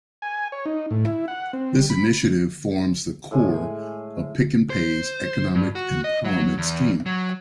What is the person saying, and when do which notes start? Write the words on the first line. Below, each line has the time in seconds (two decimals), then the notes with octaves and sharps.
This initiative forms the core of Pick n Pay's economic empowerment scheme.
0.22 G#5
0.52 C#5
0.66 D#4
0.91 A2
1.05 E4
1.28 F#5
1.53 C4
1.76 G3
1.90 B5
3.31 A2 G#3 G#5
4.70 C5
5.55 G2
5.75 F#4
6.04 D#5
6.25 F#3
6.58 E2
7.06 F#3